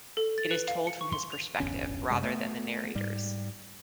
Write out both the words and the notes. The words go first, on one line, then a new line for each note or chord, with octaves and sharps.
It is told from his perspective rather than the narrator's.
A4
A6
B4
F5
C#7
C#6
C6
F7
D1 G1 E2 C#4
F#2 C3 G#3
A3 B3
G#2 G3